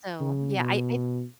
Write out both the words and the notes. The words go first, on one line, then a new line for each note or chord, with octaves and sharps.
So, yeah, I I
C#3
B2